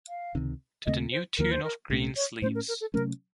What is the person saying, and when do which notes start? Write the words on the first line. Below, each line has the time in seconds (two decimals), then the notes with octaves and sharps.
To the new tune of Green Sleeves.
0.09 F5
0.35 C#2 C3 D#3
0.86 D#2 C#3 A3 C4 D#5
1.12 C5
1.38 D#2 D#3 F#3 A#3 A#4
1.51 C5
1.64 A#4
1.90 C2 A#2 A3 C#4
2.16 C#5
2.42 A2 A3 C#4 C5
2.55 A#4
2.68 A#4
2.81 A4
2.94 C3 F#3 A3 C#4 A#4